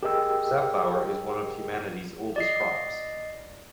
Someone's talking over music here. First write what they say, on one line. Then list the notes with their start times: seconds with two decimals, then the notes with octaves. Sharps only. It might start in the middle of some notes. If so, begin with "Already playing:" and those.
Safflower is one of humanity's oldest crops.
0.03 G4 G#4 A#4 D#5 G5 E6
2.36 D5 D#5 C7